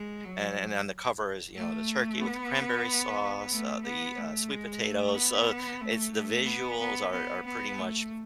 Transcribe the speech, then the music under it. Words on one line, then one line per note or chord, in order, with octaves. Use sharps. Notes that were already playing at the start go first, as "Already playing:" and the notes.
and and then the cover is, you know, the turkey with the cranberry sauce, uh, the, uh, sweet potatoes. So it's the visuals are are pretty much,
Already playing: G#3
F#3
A3
B3
A3
B3
A3
G#3
A3
B3
A3
A3
B3
B3
B3
B3
A3